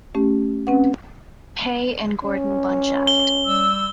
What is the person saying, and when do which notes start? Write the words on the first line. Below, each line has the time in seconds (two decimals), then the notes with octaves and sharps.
Pei and Gordon Bunshaft.
0.15 A3 C#4 G4
0.67 C4 C#4 B4 F#5
2.23 C#4
3.07 G7
3.46 G3 E6